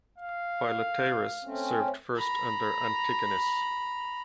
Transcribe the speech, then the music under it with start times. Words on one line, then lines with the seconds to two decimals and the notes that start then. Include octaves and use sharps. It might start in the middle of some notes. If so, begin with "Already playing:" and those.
Philetaerus served first under Antigonus.
0.18 F5
1.45 A3 C4 C#4
2.15 A#5 B5